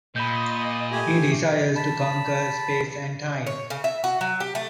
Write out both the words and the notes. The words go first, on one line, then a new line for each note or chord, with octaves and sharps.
He desires to conquer space and time.
A#2 D#5 B5 G6
A3 G4 G#5
A5 B5
C#5
C#3
E5
F#4
F#3
G4
A3